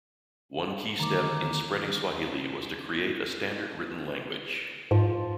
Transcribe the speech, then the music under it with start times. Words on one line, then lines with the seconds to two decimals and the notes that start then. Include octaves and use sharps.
One key step in spreading Swahili was to create a standard written language.
1.00 D3 D#3 A3 A#5 D6
4.91 G#2 F3